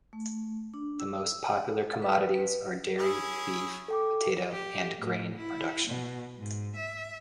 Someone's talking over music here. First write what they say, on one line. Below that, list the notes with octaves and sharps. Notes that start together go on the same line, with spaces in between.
The most popular commodities are dairy, beef, potato, and grain production.
A3
D4
E6
F#5
B4
B4
C#4 E4 G#4
A4 G5 D6
G4
A2
E4
B2
G#2
E5